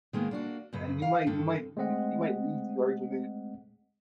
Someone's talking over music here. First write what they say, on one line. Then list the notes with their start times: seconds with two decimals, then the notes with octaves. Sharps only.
and you might you might y you might leave the argument
0.13 D#3 G#3 A#3 B3
0.31 A#3 D4 F#4
0.73 F#2 C#3 B4
1.02 F5
1.27 G2 D3 D#3 A4
1.77 G#3 A3 C4 D#5 F#5